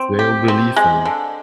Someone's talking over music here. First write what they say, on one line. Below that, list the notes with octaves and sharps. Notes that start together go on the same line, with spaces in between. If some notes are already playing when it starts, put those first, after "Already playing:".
They'll believe him.
Already playing: C4
G4
C4
G#3
D3